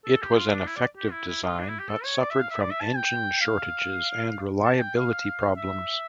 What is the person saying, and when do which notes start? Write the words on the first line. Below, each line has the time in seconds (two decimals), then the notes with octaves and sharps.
It was an effective design, but suffered from engine shortages and reliability problems.
0.05 A4
0.21 G4
0.36 F4
0.51 D4
0.67 E4
0.76 D5
0.97 G4
1.12 E4
1.28 E4
1.43 F4
1.59 D4
1.69 E4
1.79 G4
1.89 A4
2.05 C#5
2.20 D5
2.30 E5
2.40 F5
2.50 E5
2.61 D5
2.71 E5
2.81 A5
2.97 G5
3.42 F5
4.64 A5
4.80 G5
4.96 F5
5.57 E5